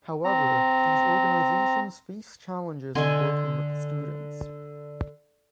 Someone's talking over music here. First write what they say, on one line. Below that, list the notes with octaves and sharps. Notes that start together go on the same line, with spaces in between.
However, these organizations face challenges in working with the students.
C4 A#5
D3 D#5 G#5 C6